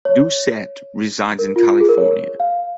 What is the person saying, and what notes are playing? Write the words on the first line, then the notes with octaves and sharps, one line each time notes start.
Doucette resides in California.
C#5
A#4
F4
F4
G#4
A#4
C#5
F5